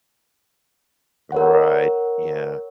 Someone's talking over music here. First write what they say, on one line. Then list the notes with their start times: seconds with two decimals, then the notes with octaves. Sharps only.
Right, yeah.
1.32 A#4 C#5 F#5